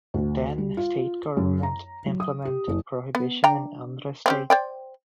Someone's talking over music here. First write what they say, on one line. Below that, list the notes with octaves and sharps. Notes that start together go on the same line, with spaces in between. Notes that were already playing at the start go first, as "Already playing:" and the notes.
The then state government implemented prohibition in Andhra State.
D2
G3
F4
F#2
A#5
F#3
D#6
G4
F#1
B3
D4 G5 A#5
C4 C#4 G4
C5 D5 G5